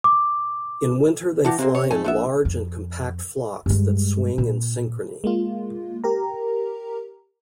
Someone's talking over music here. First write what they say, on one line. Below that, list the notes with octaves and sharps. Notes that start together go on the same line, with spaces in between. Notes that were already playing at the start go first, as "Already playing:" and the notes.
In winter they fly in large and compact flocks that swing in synchrony.
D6
E3 D4 F#4 G4
C3 G#3 A#3 C4
C#5
F2 A3 G#5
A#1 A3 B3 E5
F2
G2 G#3
A#2
G#3 A#3 F4
G4 A#4 A#5